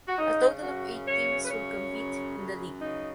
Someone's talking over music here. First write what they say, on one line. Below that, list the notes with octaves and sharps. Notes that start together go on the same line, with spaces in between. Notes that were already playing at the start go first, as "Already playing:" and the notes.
A total of eight teams will compete in the league.
F#4
C#3 D#4
F#2 F#4
C#3 C#5
B4
F#2 C#5
C#3
F#2
C#3 D#4